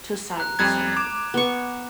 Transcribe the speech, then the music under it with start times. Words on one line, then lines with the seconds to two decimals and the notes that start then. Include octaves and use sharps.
To silence someone.
0.37 A#5 F#6
0.59 F2 G3 F#6 G#6
0.97 D6 E7 F7
1.34 B3 C#6